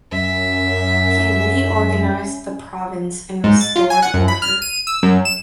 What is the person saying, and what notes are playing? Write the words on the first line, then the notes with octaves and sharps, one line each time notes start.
He reorganized the province and restored order.
F#2 C#4 E5
G#2
A6
F4
G#5
F#5
F#2
B5
F6
D#7
E6
F#2
E7